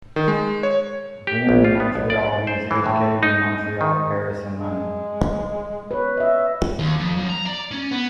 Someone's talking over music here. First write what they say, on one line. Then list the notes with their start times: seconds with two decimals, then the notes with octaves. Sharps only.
Born in Montreal, he was educated in Montreal, Paris, and London.
0.16 D#3
0.28 G#3
0.63 C#5
1.27 G4
1.49 A#1
1.64 F4
1.80 B3
1.95 B1
2.10 D5
2.47 C5
2.71 E3
2.86 A2
3.23 D#4
3.81 D#3
4.50 G#3
5.91 B4 C#5
6.17 D#5 E5
6.79 D#2
6.99 F2
7.16 F#2
7.29 A#5
7.45 D5
7.71 C#4
7.91 B3